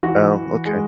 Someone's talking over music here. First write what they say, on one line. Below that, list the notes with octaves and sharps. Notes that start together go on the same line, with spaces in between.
Oh, okay.
E3 F#4
E3
G#3